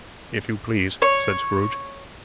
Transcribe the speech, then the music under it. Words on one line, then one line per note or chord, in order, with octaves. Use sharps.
'If you please,' said Scrooge.
C#5